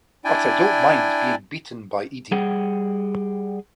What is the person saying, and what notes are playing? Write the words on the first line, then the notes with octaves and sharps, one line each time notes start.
But I don’t mind being beaten by Edie.
D4 E4 D5 G5 G#5
G3 G#4 F#5 G5